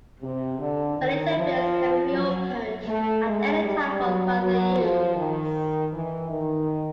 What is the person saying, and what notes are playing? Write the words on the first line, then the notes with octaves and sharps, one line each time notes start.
The interface can be reopened at any time for further use.
C3
D3
D#3
F3
F#3
A3
G#3
G3
F#3
F#3
F3
D#3
E3
D#3